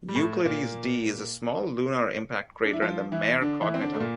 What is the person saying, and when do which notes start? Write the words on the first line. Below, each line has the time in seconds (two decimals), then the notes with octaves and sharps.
Euclides D is a small lunar impact crater in the Mare Cognitum.
0.09 G3
0.15 A2 A3
0.45 A#2 A#3
2.65 D4
2.73 E4
2.82 F3 F4
3.12 E3 E4
3.41 D3 D4
3.61 E3 E4
3.74 C4
3.81 D3 D4
3.94 A3
4.00 A#2 A#3